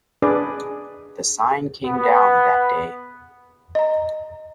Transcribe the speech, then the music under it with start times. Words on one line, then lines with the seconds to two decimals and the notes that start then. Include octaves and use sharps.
The sign came down that day.
0.22 D4 G#4 B4 D5
1.84 B3
3.75 D#5 A#5